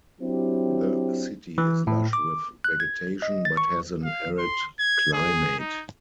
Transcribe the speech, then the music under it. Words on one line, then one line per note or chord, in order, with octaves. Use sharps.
The city is lush with vegetation, but has an arid climate.
F#3 C4 D4 E4 G4
E3
A2
D6
F#6
G#6
D#5
A6
C#6
F5
C6
G#6
G#4
D#4